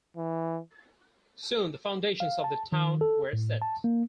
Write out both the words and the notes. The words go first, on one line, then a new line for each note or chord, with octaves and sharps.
Soon the foundations of the town were set.
E3
F5
A5
D#3
A4
A2
A5
A#3